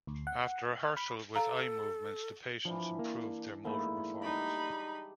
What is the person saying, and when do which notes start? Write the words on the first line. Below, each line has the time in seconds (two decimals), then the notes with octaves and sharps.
After rehearsal with eye movements, the patients improved their motor performance.
0.07 D2
0.27 F#5
0.83 F6
0.97 B5
1.35 A4 F5 A#5
2.65 E3 F3 D4
2.99 A#3
3.65 G#2 A3 A#3 E4
4.23 G3 D4 D#4 B5